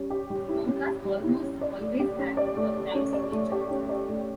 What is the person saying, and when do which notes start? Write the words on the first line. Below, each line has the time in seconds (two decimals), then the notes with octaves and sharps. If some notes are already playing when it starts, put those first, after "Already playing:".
Polkas almost always have a time signature.
Already playing: G3 C#4
0.10 G4
0.30 G3
0.49 E4
0.67 C#4
0.86 G4
1.05 G3
1.24 E4
1.42 C#4
1.61 D5
1.80 A3
2.00 G4
2.19 C#4
2.37 D5
2.57 A3
2.76 G4
2.95 C#4
3.13 D5
3.32 A3
3.52 G4
3.70 C#4
3.89 D5
4.09 A3